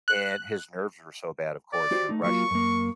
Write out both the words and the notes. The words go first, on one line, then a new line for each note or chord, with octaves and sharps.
and, his nerves were so bad, of course, you're rushing,
F#6
D5
F#4 G4 C5
A3 D#4
F#3 A#3 F4 C#6
F#2 A#3